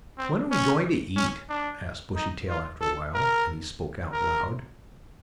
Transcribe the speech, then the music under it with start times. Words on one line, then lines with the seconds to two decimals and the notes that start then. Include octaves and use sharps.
"When are we going to eat?" asked Bushytail, after a while, and he spoke out loud.
0.18 C4
0.51 C#4
1.17 C#4
1.50 D4
2.15 D#4
2.49 F4
2.81 A4
3.14 A#4
4.13 A#4